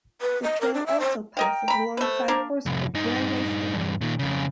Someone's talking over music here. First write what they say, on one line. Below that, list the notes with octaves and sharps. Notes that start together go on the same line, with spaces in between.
The trail also passes alongside Horsebridge railway station.
B4
D#5
A#4
D4
E5
C5
A#4 D#5 F5 G5
A#5 B5
A3 B4 C5
A#3 D4 A#4
C2 F2
G2 D#4
E2 G2
A#2 D#3
F2 C#3